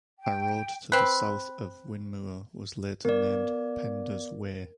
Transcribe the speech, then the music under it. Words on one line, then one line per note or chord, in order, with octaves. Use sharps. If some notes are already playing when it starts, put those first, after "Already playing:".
A road to the south of Whinmoor was later named Penda's Way.
G5
C4 B4
B3 A#4 D5